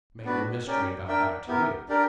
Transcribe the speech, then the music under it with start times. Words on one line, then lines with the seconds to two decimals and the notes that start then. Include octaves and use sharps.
I make no mystery about that to you.
0.25 B3 D4 F#4 B4 D5
0.66 C#4 G4 A#4 D5 G5
1.08 D4 A#4 E5 G5
1.48 B3 E4 G4 A#4
1.89 D4 G4 A#4 D5